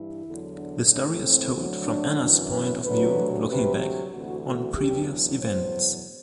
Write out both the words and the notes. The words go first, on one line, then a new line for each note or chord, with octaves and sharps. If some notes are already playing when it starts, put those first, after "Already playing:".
The story is told from Anna's point of view- looking back on previous events.
Already playing: G2 E3 E4
E2 D3 F#3
D4
A2 E3
C4
D2 D3 F#3
D4
F#2 E3
B4
D2 C3 F#3 B4
D2 C3 F#3 B4
D2 C3 E3 F#4
F#4
E2 B2 F#3 G4
E2 B2 F#3 C5